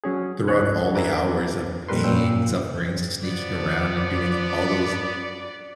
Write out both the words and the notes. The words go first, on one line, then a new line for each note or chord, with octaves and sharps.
throughout all the hours of pain, suffering, sneaking around and doing all those
F#3 C#4 G#4
C#2 F3 G#4 C#5 F#6
A#4 B4 D5 E5 G#5 A#5
D6
A#2 D#3 G3 A#4 B4 C6
G2 A#2 C#4 G5 E6
F3 B3 D5